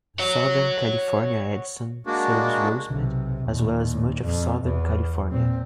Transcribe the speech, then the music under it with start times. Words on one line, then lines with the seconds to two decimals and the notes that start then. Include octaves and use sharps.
Southern California Edison serves Rosemead, as well as much of Southern California.
0.20 C#5 F#5
2.06 G#3 A#3 D4 F#4
2.89 B1 C3
3.46 D#2 A#2
4.22 F2
4.64 E2
5.31 A#2 C4